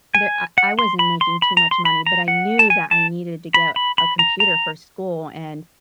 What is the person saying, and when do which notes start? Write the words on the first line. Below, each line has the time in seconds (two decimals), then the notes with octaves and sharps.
there, I I wasn't making too much money, but I knew that I needed to get a computer for school, and
0.15 G#5
0.58 F#5
0.79 C6
0.99 B5
1.21 C6
1.42 B5
1.57 A#5
1.71 C6
1.85 B5
2.06 A#5
2.28 F#5
2.59 A5
2.70 G#5
2.91 A5
3.54 B5
3.76 B5
3.98 B5
4.19 A#5
4.40 A#5